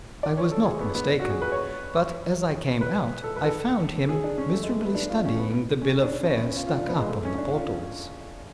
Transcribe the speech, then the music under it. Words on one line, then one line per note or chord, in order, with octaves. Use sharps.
I was not mistaken, but as I came out I found him miserably studying the bill of fare stuck up on the portals.
D5
C#5
A4
G#4
B3
B3
D4
F#4
G#4
B4
C#5
B4
A4
B4
A4
G#4
D4
C#4
A3
G#3
A3
B3
D4
F4
C#4
B3
C#4
D4
C#4
B3
C#4
F4
F4
D4
B3
G#3
A3
C#4
D4
F4